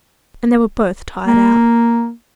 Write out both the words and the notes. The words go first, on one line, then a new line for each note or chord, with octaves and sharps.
And they were both tired out.
A#3